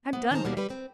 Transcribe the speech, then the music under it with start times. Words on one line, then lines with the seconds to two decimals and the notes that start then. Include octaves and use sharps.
I'm done with it.
0.13 C3 B3
0.31 D#3 C#4 D#4 C5 A5 A#5
0.44 D#2 B2 G3 A#3
0.57 G3 B4
0.70 C4